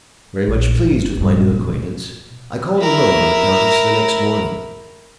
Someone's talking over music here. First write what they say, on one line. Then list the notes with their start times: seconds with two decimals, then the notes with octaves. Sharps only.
Very much pleased with my new acquaintance, I called alone on the countess the next morning.
0.47 A#1
0.85 G1
1.18 G2 A#2
1.51 F1 A#3
1.64 B2
2.80 E4 A#4